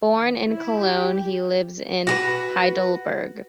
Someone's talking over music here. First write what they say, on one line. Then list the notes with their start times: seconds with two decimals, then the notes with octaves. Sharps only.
Born in Cologne, he lives in Heidelberg.
0.16 D#3
0.47 E4
0.82 G4
2.07 F#4 G4 B4